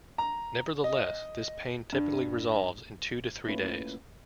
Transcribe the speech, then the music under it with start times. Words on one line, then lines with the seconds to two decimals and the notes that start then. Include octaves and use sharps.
Nevertheless, this pain typically resolves in two to three days.
0.18 A#5
0.84 D#5
1.93 G2
3.47 A3 A#3 C#4 E4 F4 B4